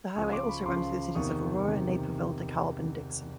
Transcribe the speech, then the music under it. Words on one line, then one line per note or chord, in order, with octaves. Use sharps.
The highway also runs through the cities of Aurora, Naperville, DeKalb, and Dixon.
C#2 C#3 F3 C#6 D#6
C6 D6
B5 C#6
C#2 C#3 F3 C6 D6
E2 C3 D#3 C#6 D#6
C3 D#3